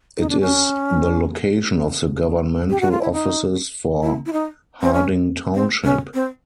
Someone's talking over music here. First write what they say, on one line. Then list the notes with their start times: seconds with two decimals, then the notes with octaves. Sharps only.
It is the location of the governmental offices for Harding Township.
0.18 D#4
0.29 D4
0.41 C#4
2.70 G4
2.81 F#4
2.91 F4
3.01 E4
3.12 D#4
4.03 E4
4.26 E4
4.33 D#4
4.82 C4
4.94 C#4
5.54 C4
5.84 C#4
6.14 C4